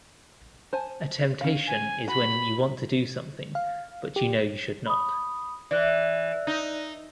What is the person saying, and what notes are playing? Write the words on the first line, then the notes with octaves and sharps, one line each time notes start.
A temptation is when you want to do something but know you should not.
C5 G#5 A5
C#4 F5
G#5
F#4 B5
F5
G4
B5 D#6
E3 D5 F#6
D#4